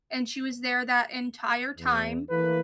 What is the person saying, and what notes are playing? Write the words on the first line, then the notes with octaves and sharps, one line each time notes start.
and she was there that entire time,
E2
E3 A3 A#3 B4